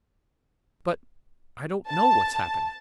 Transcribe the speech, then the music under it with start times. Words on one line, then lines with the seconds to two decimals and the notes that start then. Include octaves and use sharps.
"But I don't know what's happened."
1.89 A5